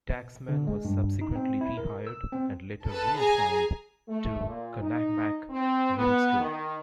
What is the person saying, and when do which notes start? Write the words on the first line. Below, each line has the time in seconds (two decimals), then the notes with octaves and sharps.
Taxman was subsequently rehired, and later reassigned to Conackamack Middle School.
0.49 D3
0.67 G#3
0.85 G2
1.21 D#4
1.36 C4
1.61 E4
1.77 A#4
2.07 E6
2.32 C4
2.86 A4 B4 A5
3.16 G#4 G#5 A#5
4.08 A3
4.45 A#2
4.80 D#4
5.50 C4
5.94 B3
6.39 D#3